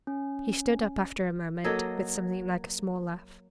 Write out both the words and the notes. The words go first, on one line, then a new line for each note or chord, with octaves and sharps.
He stood up after a moment, with some thing like a small laugh.
C#4
F#3 A#3 A4 D#5